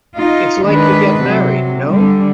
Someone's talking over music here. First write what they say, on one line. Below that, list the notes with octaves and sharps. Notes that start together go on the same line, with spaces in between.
It's like you get married, no?
D#4 F4
D#3 G#3 D4 B4
C3 F#3
D3 G3